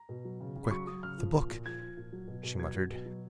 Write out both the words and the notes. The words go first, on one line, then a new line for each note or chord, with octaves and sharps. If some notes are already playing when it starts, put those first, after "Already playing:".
"Quick--the book," she muttered.
Already playing: A#5
B2
F#3
C#3
C#3
B5
F#3 C#6
F#3 D#6
C#3 F6
F3
A#2
A#2
F3 G#6
F3
A#2
F#3
B2
B2
F#3 G#6
F#3
B2
F#3